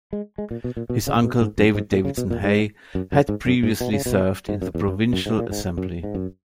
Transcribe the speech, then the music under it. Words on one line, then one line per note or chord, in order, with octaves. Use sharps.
His uncle David Davidson Hay had previously served in the provincial assembly.
G#3
G#3
A#2
B2
A#2
B2
C#3
A#2
B2
G#2
F#2
G#2
A#2
C#3
B2
A#2
G#2
F#2
F#2
G#2
F#2
G#2
B2
C#3
B2
G#2
F#2
E2
F#2
F#2
G#2
A#2
G#2
F#2
G#2
F#2